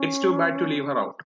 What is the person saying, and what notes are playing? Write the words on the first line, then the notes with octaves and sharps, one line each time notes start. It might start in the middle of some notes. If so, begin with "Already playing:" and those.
It's too bad to leave her out.
Already playing: C#4